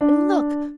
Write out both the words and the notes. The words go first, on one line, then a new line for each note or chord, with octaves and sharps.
And look!
D4